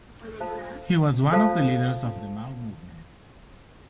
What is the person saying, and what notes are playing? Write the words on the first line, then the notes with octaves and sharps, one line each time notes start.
He was one of the leaders of the Mau movement.
F4 A4 C5 F5 A5
F4 A4 C5 F5 A5